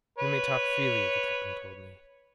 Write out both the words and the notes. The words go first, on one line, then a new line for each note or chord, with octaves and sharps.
"You may talk freely," the captain told me.
B4 C#5